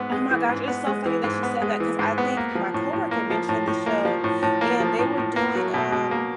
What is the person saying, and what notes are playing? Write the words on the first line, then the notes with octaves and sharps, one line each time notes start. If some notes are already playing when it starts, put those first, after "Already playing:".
Oh my gosh, it's so funny that you said that, 'cause I think my co-worker mentioned the show, and they were doing, um
Already playing: G#2 B3
G#3
E3
G#2
B3
G#3
E3
G#2
B3
G#3
E3
G#2
B3
A#3
F3
A2
A2
A#3
F3
A2
A2
A#3
F3
A2
A2
A#3
F3
A2
A2
A#3
F#3
B2
B2
A#3